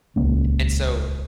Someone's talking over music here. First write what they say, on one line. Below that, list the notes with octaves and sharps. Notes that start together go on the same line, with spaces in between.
And so,
D#1 C#2 A#3 C#4